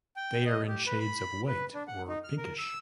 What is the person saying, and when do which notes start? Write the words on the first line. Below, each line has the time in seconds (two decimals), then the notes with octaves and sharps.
They are in shades of white or pinkish.
0.16 G5
0.46 D#5
0.68 G4
0.87 B4
1.00 B5
1.48 B4
1.74 D4
1.88 F#5
2.08 D#4
2.24 F6
2.37 A#4
2.58 E6